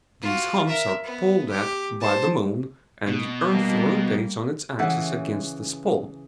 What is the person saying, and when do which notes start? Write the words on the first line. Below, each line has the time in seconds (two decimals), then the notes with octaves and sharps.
These humps are pulled at by the moon, and the earth rotates on its axis against this pull.
0.22 F4 F#4
0.67 A#4 E5
1.04 B3
1.50 G4
2.01 C5 A5
3.07 B2
3.48 G3 A#3
4.79 C#3 E3 A4 E5 F#5